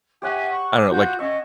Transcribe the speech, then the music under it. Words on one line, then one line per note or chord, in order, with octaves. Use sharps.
I don't know, like,
G4 C#5 E5 F#5 G#5
C#6
D6
F4 F#4 G6
C#4 D#5 E5 F#5 C#6